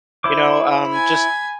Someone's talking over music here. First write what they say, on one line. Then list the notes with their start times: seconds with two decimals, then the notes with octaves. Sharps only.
you know, um, just
0.24 E4 C5 D6
0.88 G#5 B5